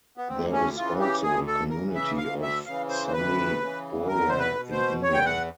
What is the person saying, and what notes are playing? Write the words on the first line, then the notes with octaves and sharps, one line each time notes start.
There is also a community of Sunni Bohra in India.
B3
D2 C4
C#4
C#3 E3 F4
G4
D2 G#4
A4
C#3 E3 A#4
E5
D2 F5
E5
C#3 E3 F5
C5
C5
D2 B4
C#3 E3
E2 A#4
C5
B4
B2
C5
E2 C#5
G5
F#5